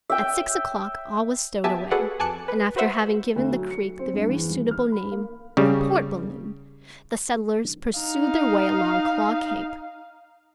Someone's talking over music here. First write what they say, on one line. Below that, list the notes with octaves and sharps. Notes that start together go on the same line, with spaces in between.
At six o'clock, all was stowed away, and after having given the creek the very suitable name of "Port Balloon," the settlers pursued their way along Claw Cape.
E5 G5
B3 G4 E5 G#5 A5
F#4 G#4 A4 B4 D5 F#5
F2 G#5 A5 D6 F#6 C#7
B4
F#4 B4 C5 E5 F#5
D2
F#3
C#7
C4
G2
E2
D#1
F6
B5
A#3
C#3 G3
D#4 F5